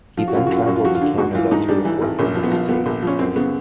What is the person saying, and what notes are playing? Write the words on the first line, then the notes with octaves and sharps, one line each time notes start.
He then traveled to Canada to record the mixtape.
F3 F4
F#4
F#2 F4
F#4
F#2 F4
F#2 F#4
F4
F3 F#4
F4
D3
G#2 F#4
E3 F4
G#2 D#4
G3 D4
E3
G#1
A#1 C#4
F3
B3
F3
F3 B3
A#1
F3 C#4
F#2 C4
C#3 B3